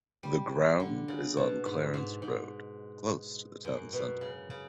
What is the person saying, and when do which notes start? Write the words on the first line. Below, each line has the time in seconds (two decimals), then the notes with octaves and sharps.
The ground is on Clarence Road, close to the town centre.
0.23 G3
0.80 D3
1.08 C#3
1.37 B2
1.65 G#2
1.94 G#2
2.22 G#2
3.65 F#2
3.93 B2
4.21 C#3
4.50 C#3